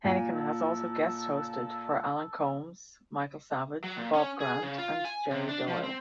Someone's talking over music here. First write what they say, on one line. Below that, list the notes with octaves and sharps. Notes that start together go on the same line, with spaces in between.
Henican has also guest-hosted for Alan Colmes, Michael Savage, Bob Grant and Jerry Doyle.
A#2 G#5
A4
F#3
A#2
C#4
G#4
C#3
F4
G#5
C3
D4
F3
C4